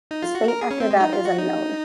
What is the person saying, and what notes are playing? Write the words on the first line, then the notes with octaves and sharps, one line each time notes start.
His fate after that is unknown.
D#4
F4
F#4
A#4
G#4
C#4
C4
G#3
D#4
F4
F#4
D#4